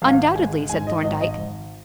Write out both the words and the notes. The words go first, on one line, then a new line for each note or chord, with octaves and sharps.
"Undoubtedly," said Thorndyke.
G#1 F5
G#3 G#5
G#2 G#5
D#5
G#1 D#5
D#5
G#1